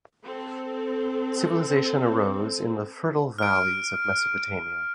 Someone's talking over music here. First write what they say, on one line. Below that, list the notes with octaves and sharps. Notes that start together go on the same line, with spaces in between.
Civilization arose in the fertile valleys of Mesopotamia.
C4 A4
F6 D7